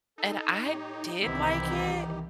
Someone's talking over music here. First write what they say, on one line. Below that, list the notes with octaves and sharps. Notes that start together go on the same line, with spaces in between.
And I did like it,
D#4 A4
A2 G4 C#5
C2 D#3 E3 B3 C4 D#4 E4 G4